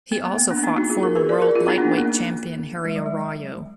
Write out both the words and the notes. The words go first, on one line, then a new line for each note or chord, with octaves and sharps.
He also fought former World Lightweight Champion Harry Arroyo.
B3
A#3
B3
A#3 D4
B3 D#4
D#4 F#4
F4 G#4
F#4 A#4
G#4 B4
A#4 D5
F#4 A#4
F4 G#4
B3 D#4
A#3 D4
B3
A#3
G#3
F#3
G#3